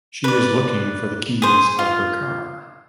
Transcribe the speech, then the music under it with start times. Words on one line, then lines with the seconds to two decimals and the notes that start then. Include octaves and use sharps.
She is looking for the keys of her car.
0.24 B4 D5
1.42 G#4 C5
1.79 F4